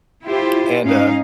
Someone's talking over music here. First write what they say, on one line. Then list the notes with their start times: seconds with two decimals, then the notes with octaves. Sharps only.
And, uh,
0.24 E4 F4 G4 C5
0.83 G#2 C#4 D#4 F5